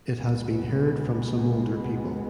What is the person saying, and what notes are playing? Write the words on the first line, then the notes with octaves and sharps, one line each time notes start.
It has been heard from some older people.
C#2 B2 G#3 B3